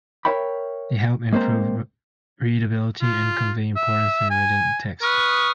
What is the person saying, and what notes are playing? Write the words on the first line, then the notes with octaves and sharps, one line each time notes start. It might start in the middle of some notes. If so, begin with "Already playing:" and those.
They help improve readability and convey importance in written text.
A#4 B4 C#5 E5 G5 B5
G#3 A#3 C4 C5 A#5
F4
E5
G#5
B4 C#6 D#6 F6